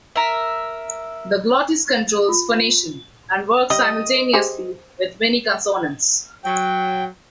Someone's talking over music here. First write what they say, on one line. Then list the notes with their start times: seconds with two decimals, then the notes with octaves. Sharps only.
The glottis controls phonation, and works simultaneously with many consonants.
0.16 A#4 E5
2.29 F4
3.70 G3 D#5
4.33 G4 G#4 C5
6.44 F#3 G5